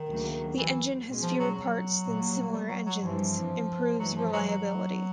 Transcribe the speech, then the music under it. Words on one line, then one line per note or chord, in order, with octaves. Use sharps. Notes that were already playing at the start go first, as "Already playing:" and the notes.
The engine has fewer parts than similar engines, improves reliability.
Already playing: D#3
D2 C#3 F#3 A#3
E3
B2 G#3 C#4
F3
F#3
F#3
A#2 G3 A#3
G3
F#3
F#3
G2 E3 F3 G3 C4
G2 E3 F#3 G3
F3
F#3
F#3